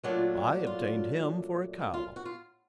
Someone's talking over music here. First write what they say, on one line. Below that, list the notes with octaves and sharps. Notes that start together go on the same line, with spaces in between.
"I obtained him for a cow."
A#2 F#3 A3 D4 F4
F4
F4
F#4
F4